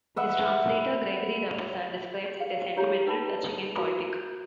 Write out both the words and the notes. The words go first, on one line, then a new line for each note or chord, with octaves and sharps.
His translator, Gregory Rabassa, describes it as "sentimental, 'touching' and poetic".
B4 E5 F#5
F5
E4 G4 C#5 A#5
D#4 B4 G5 A5 B5
F#4 A#4 A#5 B5 D6